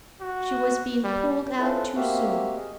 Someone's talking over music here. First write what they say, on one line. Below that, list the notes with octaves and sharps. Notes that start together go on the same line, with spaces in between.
She was being pulled out too soon.
F#4
G3
C#4 E4 F4 A4 B4 C5
A#3 C4 F#4 G4 E5 F5
G#4 D#5